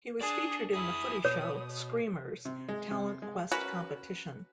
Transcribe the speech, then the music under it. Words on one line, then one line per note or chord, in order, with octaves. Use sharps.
He was featured in The Footy Show "Screamers" talent quest competition.
D4 G#4 D5
E4 G#4 D#6
B2 C#5
C3
G#3
C3
G#3
C#4 F#4 A#4 B4